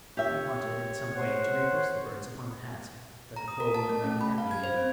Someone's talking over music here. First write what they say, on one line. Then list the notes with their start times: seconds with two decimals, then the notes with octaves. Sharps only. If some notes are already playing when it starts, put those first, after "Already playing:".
He wanted, in some way, to replace the birds upon the hats, that the poor woman might be happy again.
0.17 G4 C#5 E5
1.15 C5 C#5 F#5
3.36 A#5
3.48 D#6
3.60 A#4
3.75 A5
3.90 A3
4.04 C#4
4.21 B5
4.38 F5
4.51 G#6
4.64 C5
4.76 C4